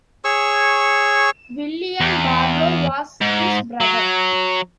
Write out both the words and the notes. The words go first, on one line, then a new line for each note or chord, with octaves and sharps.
William Barlow was his brother.
G#4 C#5 C#6 E6
E2
G#2
F#3